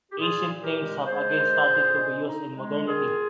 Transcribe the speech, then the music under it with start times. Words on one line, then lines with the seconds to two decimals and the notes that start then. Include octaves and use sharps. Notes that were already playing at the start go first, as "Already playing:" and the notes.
Ancient names have again started to be used in modernity.
0.09 G4
0.17 A#2 F4 G#4
0.47 A#2
0.62 G4 A#4
0.77 G#3
1.06 G#3 G#4 C5
1.37 A#2
1.66 A#2
1.96 G#3
2.25 D#4
2.55 G#3
2.84 D#3 F4 G#4